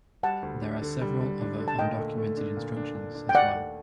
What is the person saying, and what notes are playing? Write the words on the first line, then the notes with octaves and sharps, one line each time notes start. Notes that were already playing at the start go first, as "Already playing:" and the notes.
There are several other undocumented instructions as well.
G3 F#5 A5
D2
D4
D3
G3
G3
D4
D3
A5
A#2 D#5 G5
A3
A3
D4
A#2
D4
D4
D4
G5
D#2 D5 F#5
A3